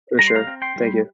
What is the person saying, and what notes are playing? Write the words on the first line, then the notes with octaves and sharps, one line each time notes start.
For sure. Thank you.
G3 A#5
C6
F5 A#5
C4
G5 C6
G3